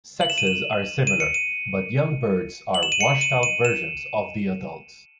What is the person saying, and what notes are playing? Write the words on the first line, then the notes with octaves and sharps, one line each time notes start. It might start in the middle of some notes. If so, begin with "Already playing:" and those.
Sexes are similar, but young birds are washed-out versions of the adults.
F#7
E7
D#7
E7
D#7
C#7
D#7
F#7
E7
D#7
C#7
D#7
D#7
E7